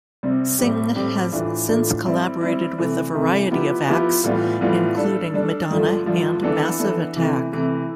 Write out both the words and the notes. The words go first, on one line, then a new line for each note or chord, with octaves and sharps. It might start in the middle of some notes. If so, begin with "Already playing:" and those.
Singh has since collaborated with a variety of acts including Madonna and Massive Attack.
C3 G3 C4
A2 G3 C4 G4
A2 G3 C4 G4
A2 E3 A3 D4 F4
A2 E3 A3 D4 F4
G3 C4 E4
G3 C4 E4
C3 E3 A3
C3 E3 A3
F3 B3 E4 G4 B4
F3 B3 E4 G4 B4
A2 E3 G3 B3 F4
A2 E3 G3 B3 F4
G3 D4 A4
G3 D4 A4
G2 D3 F3 A3
G2 D3 F3 A3
E3 B3 D4 A4
E3 B3 D4 A4
C3 E3 A3
C3 E3 A3